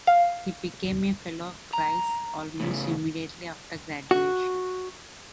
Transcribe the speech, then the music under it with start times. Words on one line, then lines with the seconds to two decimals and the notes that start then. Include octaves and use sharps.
He became a Fellow of Christ's almost immediately after graduation.
0.07 F5
1.73 A#5
2.60 A2 C#3
4.11 F#4